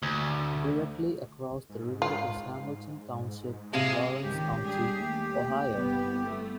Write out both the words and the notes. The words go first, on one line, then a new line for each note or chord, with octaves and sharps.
Directly across the river is Hamilton Township in Lawrence County, Ohio.
D2
G#2
F4
C3 G#3 F5
C#2 G#2 D#3 G4
G3 D4 G#4
D#2 A3
G1 C2 B3
A3 B3